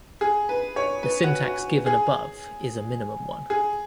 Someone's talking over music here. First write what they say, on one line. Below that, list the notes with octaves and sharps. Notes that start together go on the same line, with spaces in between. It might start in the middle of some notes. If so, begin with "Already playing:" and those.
The syntax given above is a minimal one.
G#4
B4
C#5
B4
F#4
F#4
G#4
G#4